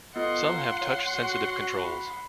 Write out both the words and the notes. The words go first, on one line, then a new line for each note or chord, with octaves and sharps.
Some have touch-sensitive controls.
B3 F4 A4 D#5 F#5 C6
F4 A#5
C#5
F#4
B5